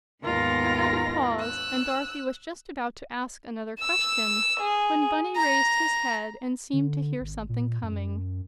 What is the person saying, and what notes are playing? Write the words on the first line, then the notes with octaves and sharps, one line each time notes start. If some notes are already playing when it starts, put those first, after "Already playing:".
The Rabbit paused, and Dorothy was just about to ask another question when Bunny raised his head and seemed to hear something coming.
D#2 G#2 B3 F4 A#4 A#6
E6 F#6
E6
G#4
A#5
D3
G#1
A#2
F#2